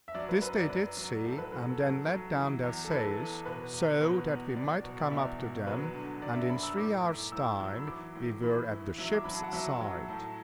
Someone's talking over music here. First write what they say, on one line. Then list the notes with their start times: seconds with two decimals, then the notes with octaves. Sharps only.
This they did see, and then let down their sails so that we might come up to them, and in three hours time we were at the ship's side.
0.08 E5
0.15 F#3 D5
0.29 B4
0.42 F#2 B4
0.56 D5
0.69 F#2 B4
0.97 F#3
1.25 A2 A4
1.38 B4
1.52 F#3 B4
1.66 A4
1.80 F#3
2.08 F#3
2.36 E3
2.63 E2
2.84 A4
2.91 E3 B4
3.18 E2
3.45 B2 B4
3.74 E2
4.01 B2 B4
4.28 E2
4.56 F#3 D5
4.84 B2
5.00 D5
5.11 E2 E5
5.38 B2
5.67 F#3 B4
5.94 D3
6.22 D3 D5
6.35 E5
6.49 F#2 B5
6.63 E6
6.77 A2 D6
7.05 A2
7.32 A2 E6
7.60 F#3
7.76 B5
7.87 E3 D6
8.15 A2
8.42 E3 B5
8.71 E3
8.98 F#3 E5
9.14 D6
9.24 F#3 B5
9.34 A5
9.43 F#5
9.53 F#3 E5
9.81 F#3
10.08 A2 A5